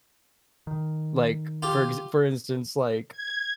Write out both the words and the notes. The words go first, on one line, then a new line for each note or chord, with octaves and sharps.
like, for ex for instance, like,
D#3
F4 G4
G#6